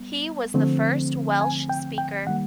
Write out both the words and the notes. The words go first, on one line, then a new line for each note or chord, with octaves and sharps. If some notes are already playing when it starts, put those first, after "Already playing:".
He was the first Welsh Speaker.
Already playing: G3 B3
D3 F3 A3 C4
G#5
G5
G5
D#3 G3 A#3 F#5